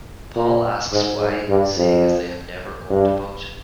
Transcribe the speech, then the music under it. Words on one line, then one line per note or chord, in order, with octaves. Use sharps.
Paul asks why, seeing as they have never owned a boat.
A#2
G#2
G#2
G2
F2
G2